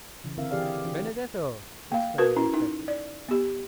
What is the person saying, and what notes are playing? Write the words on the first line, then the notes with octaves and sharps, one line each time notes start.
"Benedetto!" exclaimed an inspector.
C#3 E3
D3 C4 E4 A#4 E5 F5
E3 G4 G#4 D5 F5
E3 D4 F#4
A#3 F5
F#4 A#4 B4
C#4 E4
D#4
D5
B3 G4